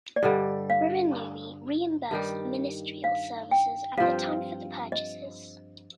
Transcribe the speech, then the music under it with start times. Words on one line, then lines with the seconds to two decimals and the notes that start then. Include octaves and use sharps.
Ririnui reimbursed Ministerial Services at the time for the purchases.
0.16 D5
0.23 G2 D3 G3 D#5
0.70 F5
2.11 G2 D#3 G3
3.04 F5
3.51 G5
3.97 G2 F3 C4 F5
4.92 D#5